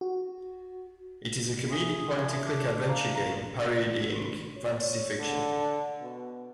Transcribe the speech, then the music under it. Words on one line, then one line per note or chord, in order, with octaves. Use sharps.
It is a comedic point and click adventure game parodying fantasy fiction.
F#4
G#4 E5
F3 C#5 E5 G#5
D4
F5 A#5
C#4 F5 A#5
C#5
D3
B2